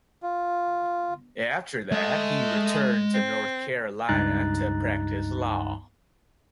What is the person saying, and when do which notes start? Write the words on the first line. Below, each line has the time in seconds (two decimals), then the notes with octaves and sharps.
After that, he returned to North Carolina to practice law.
0.23 F4
1.92 G#3 A3 D#5
3.14 C4
4.09 C#2 G2 D#4 A#5 F#6 A6